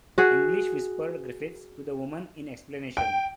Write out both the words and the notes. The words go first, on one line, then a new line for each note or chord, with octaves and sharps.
"English," whispered Griffiths to the woman, in explanation.
F#4 G#4
G5